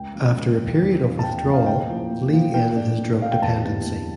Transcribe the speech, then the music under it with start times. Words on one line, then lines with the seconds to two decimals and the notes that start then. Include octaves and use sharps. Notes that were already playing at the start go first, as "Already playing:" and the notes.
After a period of withdrawal, Lee ended his drug dependency.
Already playing: C#2 G5
0.13 C#3 F3 A#3
0.35 C#2
0.58 C#3 F3 A#3
0.79 E2
1.01 C#3 F3
1.19 A5
1.23 E2 G5
1.38 G5
1.45 C#3 F3
1.53 F5
1.66 A#2 G5
1.89 F3 A#3 E4
2.10 A#2
2.33 F3 A#3 E4
2.54 A#2 G5
2.76 A3 D4
2.98 A#2
3.20 A3 D4 F5
3.32 G5
3.42 E2 A5
3.64 D3 G3 A#3 E4
3.86 E2